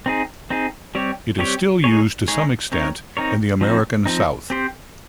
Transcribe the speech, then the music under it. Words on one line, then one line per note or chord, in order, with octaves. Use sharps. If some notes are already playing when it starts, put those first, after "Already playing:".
It is still used to some extent in the American South.
C4 D#4 G#4
C4 D#4 G#4
G3 C4 G4 C#5
G3 C4 G4 C#5
G#3 D#4 G#4 C#5
G#3 D#4 G#4 C#5
C4 D#4 A#4 C#5
C4 D#4 A#4 C#5
F3 C4 D#4
F3 C4 D#4
C4 G4 C5